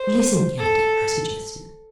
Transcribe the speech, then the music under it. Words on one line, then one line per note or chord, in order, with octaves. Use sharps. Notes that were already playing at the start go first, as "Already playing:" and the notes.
"Listen, Kennedy!" I suggested.
Already playing: C5
A4